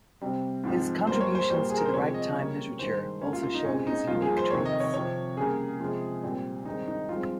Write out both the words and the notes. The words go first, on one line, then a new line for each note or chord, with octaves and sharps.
His contributions to the ragtime literature also show his unique traits.
C3 G3 C4
G#2 F3 G#3 C4
G2 G3 A#3 C5
C#5
C5
A#2 G3 A#3 C5
G#4
A#4
C5
C3 F3 G#3 C#5
D#5
C#3 G3 A#3 C#5
G2 D#3 G#3 C5
G#2 G3 A#3 C#4
F4
F4
D#4
A#2 G#3 C4 C#4
D#4
G2 F3 A#3 F4
G#4
C5
F2 C3 D#3 C#5
D#5
C#5
C3 F3 C4 C#5
C#3 G3 A#3 G#4
C3 F3 G#3
A#2 G3 C4
G2 D#3 G#3 C4 D#4
D#4
G2 F3 G#3 C4 F4